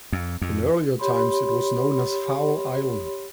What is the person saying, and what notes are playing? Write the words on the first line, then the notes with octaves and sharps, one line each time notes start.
In earlier times it was known as "Fowle Island".
F2
F2
G4 C#5 B5 C6